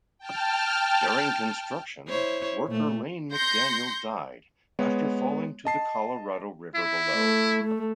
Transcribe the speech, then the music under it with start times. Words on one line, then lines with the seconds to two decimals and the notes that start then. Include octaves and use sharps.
During construction, worker Lane McDaniel died after falling to the Colorado River below.
0.18 G5 A5 F6
2.07 E4 C5 C#5
2.67 A#2 A3
3.32 C6 G6 A#6 C#7
4.79 G#3 B3 C#5
5.65 D#5 A5 C7
6.75 E4
7.14 A3
7.63 A3